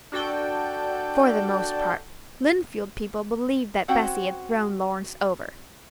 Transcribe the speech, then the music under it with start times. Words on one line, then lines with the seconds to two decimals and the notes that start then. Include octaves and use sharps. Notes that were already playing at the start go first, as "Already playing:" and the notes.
For the most part, Lynnfield people believed that Bessy had thrown Lawrence over.
0.12 D4 F#4 A4 G5
3.88 C4 C#4 F#4 C5 F#5 G5